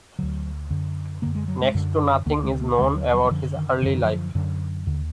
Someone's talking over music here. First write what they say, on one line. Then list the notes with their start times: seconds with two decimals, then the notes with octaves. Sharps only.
Next to nothing is known about his early life.
0.19 D2 D3 F#3
0.71 F#2 D3
1.22 F#2 D3 A#3
1.35 G#3
1.48 F#3
1.62 G#3
1.75 F#2 D3
2.26 D2 D3 A#3
2.44 G#3
2.61 A#3
2.78 D#2 D3 G#3
2.96 F#3
3.14 F#3
3.24 F#3
3.31 F#2 D3 F3
3.56 D#3
3.82 F#2 D3 F3
3.94 D#3
4.04 F3
4.35 F#2 D3
4.87 D#2 D3